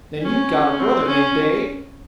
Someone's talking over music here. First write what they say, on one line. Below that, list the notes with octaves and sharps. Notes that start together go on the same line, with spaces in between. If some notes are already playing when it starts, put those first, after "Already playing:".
"Then you've got a brother named Dave?"
C#4
C4
C#4